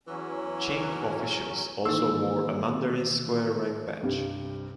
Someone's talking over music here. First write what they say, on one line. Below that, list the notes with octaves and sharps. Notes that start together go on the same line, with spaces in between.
Qing officials also wore a mandarin square rank badge.
E2 E3 F#3 C#4
D#3 E3 A#3 D#4 E4 C5 E6
C2 G2